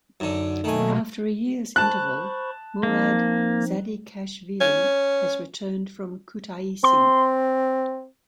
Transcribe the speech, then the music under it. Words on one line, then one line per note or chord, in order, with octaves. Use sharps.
After a year's interval Murad Zadikashvili has returned from Kutaisi.
F#2 D3 D#4
B2 D#3 F#3 A3 A#3 G#5
C5 A5 B5 C#6 F#6
F3 A#3 C4 D#4
C#4
C4 C6